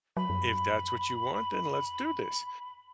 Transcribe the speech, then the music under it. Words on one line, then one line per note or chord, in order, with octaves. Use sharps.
if that's what you want, then let's do this,"
F#3 B5
F#2